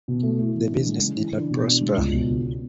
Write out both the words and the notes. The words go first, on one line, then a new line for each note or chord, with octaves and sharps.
The business did not prosper.
B2
A3
E4
E3
D4
G#3
C#3
E3
D4
B2
D4
G#3
C#2
B2